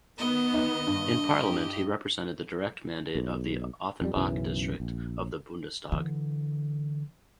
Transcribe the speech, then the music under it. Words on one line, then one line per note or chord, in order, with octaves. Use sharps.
In parliament he represented the direct mandate of the Offenbach district of the Bundestag.
D#3 B3 D#5
D#4
G2
G4
B1
F2 G3
B1 F#2 C#3 E3
A#1
D3 E3